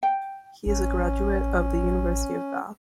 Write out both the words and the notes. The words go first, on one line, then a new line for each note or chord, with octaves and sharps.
He is a graduate of the University of Bath.
G5
A1 C#4